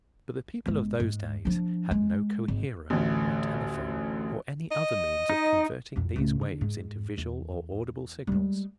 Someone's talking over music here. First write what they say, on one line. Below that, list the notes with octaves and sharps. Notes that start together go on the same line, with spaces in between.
But the people of those days had no "coherer" or telephone or any other means of converting these waves into visual or audible signals.
G1 G#3
G#2 G#3
F3 D4
G#3
G#1
A1 D2
D#5
D#4
B1 F2
C#2 A2
D3
G#2
E2
G3 G#3